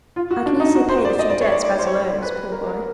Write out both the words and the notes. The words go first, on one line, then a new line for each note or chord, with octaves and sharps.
I can easily pay the few debts Basil owes, poor boy.
F4
F#4
D4
D#4
F#4
C5
D5
D#5
D5
C#5
D5
D5
C#5
C5
C#5
B4
A#4
A#4